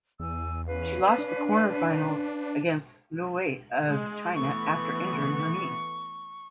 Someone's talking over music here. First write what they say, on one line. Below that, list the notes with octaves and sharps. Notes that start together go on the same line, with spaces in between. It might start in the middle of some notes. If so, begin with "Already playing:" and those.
She lost in the quarterfinals against Luo Wei of China after injuring her knee.
E2 G#5 E6
C#4 B4 F5
D4
G#3
E3 A3 B3 C#6